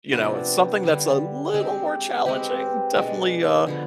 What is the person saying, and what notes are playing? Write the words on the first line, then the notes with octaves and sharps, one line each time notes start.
you know, it's something that's a little more challenging, definitely, uh,
C3 F3 B3 D4
D3 G3 D4
G#3 C4 G4
G#3 C4 G4 B4
B2 G#3 D4
D3 F3 B3